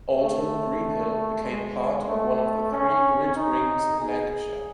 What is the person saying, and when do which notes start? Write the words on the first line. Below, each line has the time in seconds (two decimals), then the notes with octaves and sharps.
Oldham Greenhill became part of one of the three grid rings in Lancashire.
0.15 A3
1.43 G#3
2.08 A3
2.72 C#4
3.35 D#4
4.00 G#4